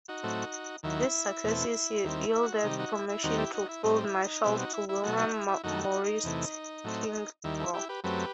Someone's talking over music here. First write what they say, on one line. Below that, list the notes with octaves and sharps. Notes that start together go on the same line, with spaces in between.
These successes yielded promotion to Field Marshal to Wilhelm Mauritz Klingspor.
D#4 F#4
A2 F#3 A3 C4
D#2 D#3 F#3 E4
E2 B2 A3 C4
D#2 D#3 G3 C4
F#4
E4
C3 D#3 G3 D#4
D#4 F#4
E4
E4
D#2 D#3 G3 C4 D#4 F#4
E4 G4
D#4 F#4
E4
A2 G3 C4 D#4
E4
D#4
B2 G3 C4 E4
D#4 F#4
E4
E4
B2 F#3 A3 D#4 F#4
D#4 F#4
E4
E4
F#2 D#3 A3 D#4 F#4
D#4 F#4
D#4
E2 C3 E3 A3
A2 F#3 A3 C4
D#2 D#3 G3 E4
E4
E4 G4
G4 B4
F#2 F#3 A3 C4 G4 B4